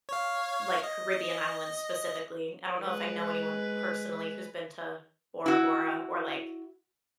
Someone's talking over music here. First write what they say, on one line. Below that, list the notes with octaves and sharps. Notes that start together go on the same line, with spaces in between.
like, Caribbean islands specifically. I don't know if I know anyone personally who's been to Bora Bora or, like,
C#5 F5
D#5
G#3 B4
E4 F#4